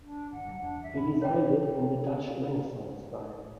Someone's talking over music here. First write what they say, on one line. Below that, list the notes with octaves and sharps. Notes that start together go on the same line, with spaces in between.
He designed it in the Dutch Renaissance style.
D4
G1 F#5
G2 C#3 F#3
E2 D4
E5
A2 E3 G#3 B5
C#5 G5